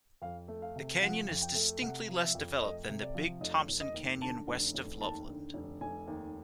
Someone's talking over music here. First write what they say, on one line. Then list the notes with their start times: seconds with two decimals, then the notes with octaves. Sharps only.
The canyon is distinctly less developed than the Big Thompson Canyon west of Loveland.
0.21 F2 F5
0.48 A3
0.62 F5
0.76 C3
1.01 F3 F#5
1.28 F2
1.41 G5
1.55 A3
1.81 C3 F#5
2.08 F3
2.22 E5
2.35 F2
2.61 A3 D#5
2.89 C3
3.02 D5
3.14 F3
3.41 F1 D#5
3.68 F1
3.81 D#5
3.94 D#2
4.21 D3 A5
4.47 F1
4.74 F1
5.01 D#2 A5
5.27 D3
5.54 F1
5.81 F1 G#5
6.07 D#2